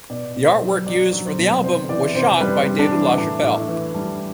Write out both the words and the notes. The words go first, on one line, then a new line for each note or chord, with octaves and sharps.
The artwork used for the album was shot by David LaChapelle.
B2 D5
B2
C5
F#3
F#3 D5
F#3
C5
B2
C3 C5
E3 D5
C3 C5
G3 B4
G3
D4
E3
A2 D4
A2
E4
E3
G3 D4